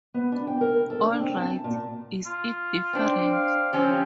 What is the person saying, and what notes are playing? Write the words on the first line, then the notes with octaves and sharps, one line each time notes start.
All right, is it different?
B3
D4
G5
A#4
A4
D4
C4
A5
A#2
F4
C4 D4
F5
F3 C4 C#4 G4